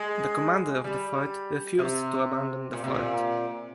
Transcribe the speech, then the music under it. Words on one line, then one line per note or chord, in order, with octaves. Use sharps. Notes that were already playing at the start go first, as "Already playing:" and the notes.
The commander of the fort refused to abandon the fort.
Already playing: G#3
G3
C3
A#2
C3
A#2